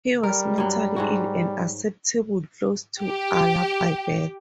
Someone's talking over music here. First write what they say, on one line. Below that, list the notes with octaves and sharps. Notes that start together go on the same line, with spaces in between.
He was mentally ill and acceptable close to Allah by birth.
G3 A#4
G2 F#3
G#2 F#3 F#4
G4